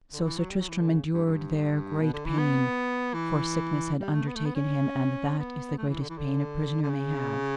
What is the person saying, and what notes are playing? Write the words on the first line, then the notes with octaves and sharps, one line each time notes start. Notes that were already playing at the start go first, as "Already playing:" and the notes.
So Sir Tristram endured there great pain, for sickness had undertaken him, and that is the greatest pain a prisoner may have.
D3
E3
F#3
G3
F#3
E3
D3
C#3
G2
G2
B2
D3
E3
B3
E3
G3
A3
B3
A3
B3
C#4
B3
A3
E3
D3
E3
D3
D3
C#3